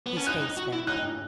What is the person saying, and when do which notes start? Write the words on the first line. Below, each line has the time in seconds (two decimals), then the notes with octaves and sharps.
His face fell.
0.06 B3
0.17 C#4
0.27 D#4 F#6
0.41 D#4
0.57 F#4
0.73 E4
0.87 D#4 F#6